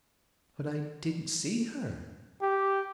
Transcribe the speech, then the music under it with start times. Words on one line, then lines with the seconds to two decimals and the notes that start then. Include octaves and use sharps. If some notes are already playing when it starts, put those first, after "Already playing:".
"But I didn't see her."
2.42 G4